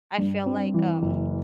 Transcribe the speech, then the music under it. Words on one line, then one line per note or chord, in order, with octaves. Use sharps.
I feel like, um
G2
C4
E3
F#1